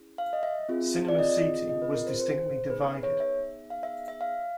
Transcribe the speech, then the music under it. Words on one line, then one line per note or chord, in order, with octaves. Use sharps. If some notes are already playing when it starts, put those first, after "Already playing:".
Cinema seating was distinctly divided.
Already playing: C#4 E4 G#4
F5
D#5
E5
C4 F4 G#4
D5
D#5
D#5
B4
A#4
C5
C5
B3 D#4 G#4 B4
B4
C#5
E5
F5
E5
E5
F5